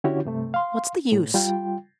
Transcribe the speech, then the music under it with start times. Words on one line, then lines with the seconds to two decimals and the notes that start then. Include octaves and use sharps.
What's the use?
0.04 D3 C#4 E4 F#4 G4 C#5
0.25 G2 C3 A3
0.54 F5 C6
1.12 A2
1.34 G3 F4 G5